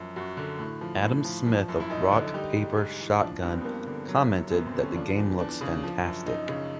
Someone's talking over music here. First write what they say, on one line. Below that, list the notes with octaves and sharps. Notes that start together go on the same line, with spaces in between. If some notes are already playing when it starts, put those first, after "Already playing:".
Adam Smith of Rock, Paper, Shotgun commented that the game looks fantastic.
Already playing: F#2 F3
F#2 F#4
D3
A2
F3
A2
F3
F3
F#2
E4
F#2 D#4
D3
G3 D#4
G#2
G#2
E3
F3 D4
G2 B3
C4
B3
G2 A#3
D3
F#3
F#2
F#2 B3
C4
D3
C#4
F3 D4
E2
E2 D4
C#3
F3
F#2
F#2 D#4
C#3